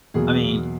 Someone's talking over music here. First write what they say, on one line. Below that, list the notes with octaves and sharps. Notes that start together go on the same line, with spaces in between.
I mean,
E2 B2 F#3 A#3 G#4